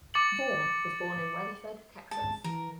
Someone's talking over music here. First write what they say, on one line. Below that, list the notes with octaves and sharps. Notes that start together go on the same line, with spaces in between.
Vaughn was born in Weatherford, Texas.
D6 A6 C#7 F#7
G#3 A5
E3 A#4